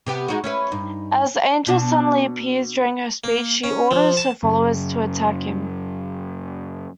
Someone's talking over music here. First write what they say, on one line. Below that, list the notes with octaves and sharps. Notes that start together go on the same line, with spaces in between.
As Angel suddenly appears during her speech she orders her followers to attack him.
C3 B3 G4
G#3 D#4 F#4
C#4 E4 B4
G2 D#4
B2 D4
A#3
C#4
F3
A5
F#2 C#3